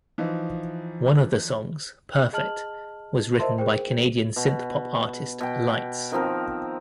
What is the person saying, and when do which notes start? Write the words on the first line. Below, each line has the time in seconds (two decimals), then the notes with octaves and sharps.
One of the songs, "Perfect," was written by Canadian synth pop artist Lights.
0.18 E3 F3 D#4
2.33 G#4 D#5 A5 F6 F#7
3.39 A#4 C5 D#5 E5 A5 C6
3.58 G#4 A#4 C5 G5
4.36 B2
5.40 B2 G5
6.12 D#3 F3 C4 A#4